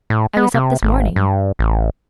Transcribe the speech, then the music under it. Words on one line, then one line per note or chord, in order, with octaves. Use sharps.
"I was up this morning."
A2
B3
C3
G#1
G2
A1